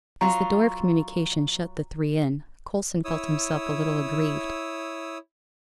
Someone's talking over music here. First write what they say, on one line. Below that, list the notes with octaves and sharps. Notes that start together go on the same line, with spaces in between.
As the door of communication shut the three in, Coulson felt himself a little aggrieved.
F#3 F4 A#5
E4 C#5 D#6 E6